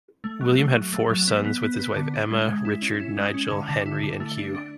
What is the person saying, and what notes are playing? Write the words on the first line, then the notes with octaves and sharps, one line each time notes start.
William had four sons, with his wife Emma; Richard, Nigel, Henry and Hugh.
A3
F#3
A3
F#3
A3
F#3
B3
B3
B3
B3
D3
D4
G#3
G#3
E4
C#4
E4
G#3
C#4
D3
D3
E4
D3
A3
D4
D4